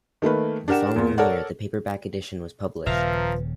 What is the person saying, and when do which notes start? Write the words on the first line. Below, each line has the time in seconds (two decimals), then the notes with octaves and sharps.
The following year, the paperback edition was published.
0.22 D#3 A3 A#3 B4
0.68 D4 G4 A#4 F#5 E7
0.96 E2 A#2
1.18 A4 A#4 C#5 D5 F#5
2.86 D#1 C#3 F3 B4 E5 F5 A#5